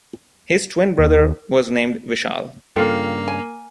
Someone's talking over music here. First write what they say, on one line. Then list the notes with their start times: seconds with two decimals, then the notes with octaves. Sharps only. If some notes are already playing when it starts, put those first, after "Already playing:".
His twin brother was named Vishal.
0.98 D#2
2.76 G2 C#3 A#3 F4 A4 G5
3.28 G#5